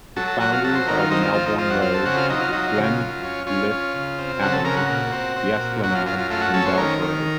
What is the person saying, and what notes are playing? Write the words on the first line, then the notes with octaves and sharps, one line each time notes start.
Its boundaries are the Melbourne Road, Glenleith Avenue, The Esplanade and Bell Parade.
F#3 A4
A4
F#3 F#4
F4
F#3 A4
C5
D#3 A#4
F4
C4 D#4
F4
F2 F4
D#4
C4 F4
F#4
C4 F4
A4
C#3 F#4
F4
F#3 D#4
F4
F#3 D#4
F4
C#3
F4
F#2
C#4
C#4 F4
C#4
C#3
C4
C#3 F#4
A4
C#3 A#4
F#4
A#2
C4
C4
A#2
F#2 F#4
F4
F#2 F4
F4
A3 F4
F#4
C#4 A4
C5
D#3 A#4
D#3